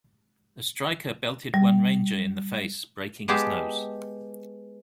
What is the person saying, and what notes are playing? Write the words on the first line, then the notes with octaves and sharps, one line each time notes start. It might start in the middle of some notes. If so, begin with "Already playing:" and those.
A striker belted one Ranger in the face, breaking his nose.
G3
G#3 B3 G4 G#4 G5 A5